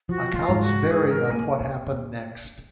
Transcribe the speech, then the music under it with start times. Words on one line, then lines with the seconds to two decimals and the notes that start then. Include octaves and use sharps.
Accounts vary of what happened next.
0.09 F3 F#4
0.35 F4
0.49 G#2
0.63 F#4
0.91 G#2 G#4
1.11 A#4
1.31 A#3 G#5